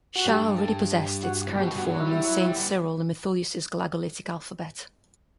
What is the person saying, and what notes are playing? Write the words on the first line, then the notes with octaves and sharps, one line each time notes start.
Sha already possessed its current form in Saints Cyril and Methodius's Glagolitic alphabet.
F#4
G2 G4
A4
F#4
A2
B2 G4
G2
F#4
F#3
E4
G3
F#3
G3
B3